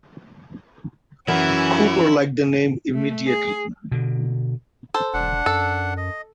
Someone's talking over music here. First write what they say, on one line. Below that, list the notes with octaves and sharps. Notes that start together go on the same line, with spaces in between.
Cooper liked the name immediately.
F#2 E3 C#4 E4
A3
G#4
B2 D3
A4 C5
E1 D4 F#5
F#2 A4
D#5